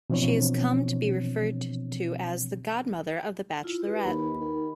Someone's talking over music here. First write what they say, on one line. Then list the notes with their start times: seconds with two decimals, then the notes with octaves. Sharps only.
She has come to be referred to as the "Godmother" of the Bachelorette.
0.10 B2 E3 F3 C4 D4 C#5
3.64 E4 F4
3.82 G4 B4
4.04 D#2 B5
4.40 D#3